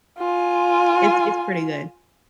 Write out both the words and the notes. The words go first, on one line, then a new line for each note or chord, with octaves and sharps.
It's it's pretty good.
F4 G#5